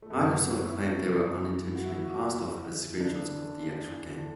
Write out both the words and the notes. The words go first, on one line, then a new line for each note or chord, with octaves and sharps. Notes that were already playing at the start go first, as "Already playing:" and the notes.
Microsoft claimed they were unintentionally passed off as screenshots of the actual game.
A3
F#2 B3
B3
E3 B3
C#4
F#2 E4
C#3
F#2
E3
F#4
F#2 E4
F#4
C#3
E4
E2
E2
D3 D4
D3
E2
E2
D3